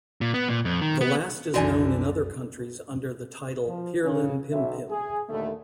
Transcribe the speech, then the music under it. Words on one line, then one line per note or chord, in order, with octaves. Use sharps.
The last is known in other countries under the title "Pirlimpimpim".
A#2
B3
A#2
F2
D#3
B3
C2 F#2 D3 E3 D#4 F#4 D5 G#5
F3
C#3 C#4
B1 F#3 E5
G#4
D#2 A#2 D3 A3